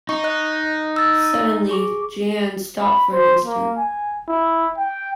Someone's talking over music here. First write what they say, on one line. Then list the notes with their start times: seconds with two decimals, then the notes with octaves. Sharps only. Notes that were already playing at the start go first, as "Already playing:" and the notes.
Suddenly Jeanne stopped for an instant.
0.09 D#4 C#6
0.24 D#5 F#6
0.96 E6 A6
1.69 G#4 C#6 D6
2.81 B5
3.13 C5
3.45 A#3
3.78 G#5
4.28 E4
4.78 G5